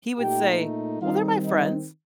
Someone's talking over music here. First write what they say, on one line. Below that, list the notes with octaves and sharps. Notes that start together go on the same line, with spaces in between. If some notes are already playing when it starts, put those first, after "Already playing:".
He would say, "Well, they're my friends."
A#2 A3 D#4 G4 G5
D#3 G3 C4 D#4 F4 F5
D#4 D#5